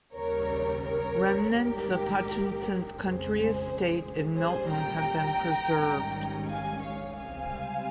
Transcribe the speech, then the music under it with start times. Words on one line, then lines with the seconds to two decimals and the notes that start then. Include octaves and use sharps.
Remnants of Hutchinson's country estate in Milton have been preserved.
0.14 D#2 C#3 G3 A#4 C#5
0.84 A#4 C#5
1.55 G#2 D#3 G3 A#3 G4 A#4
2.95 F2 C#3 G#3 G#4 C5
4.36 A#2 G3 C#4 G#4 C5
4.72 G5 A#5
5.77 G#2 D#3 G3 C#4
6.47 F5 G#5
6.83 C#5 F5
7.18 C#2 C3 G3 C4 F5 G#5